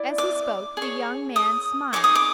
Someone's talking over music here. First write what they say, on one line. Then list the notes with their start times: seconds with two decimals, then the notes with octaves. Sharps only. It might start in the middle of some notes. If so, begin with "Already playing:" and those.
As he spoke the young man smiled.
Already playing: E4 D5
0.18 D6
0.77 G#4 C#5
1.36 D#6
1.93 D#4 G#4 C#5 D6
2.04 D#6
2.15 D6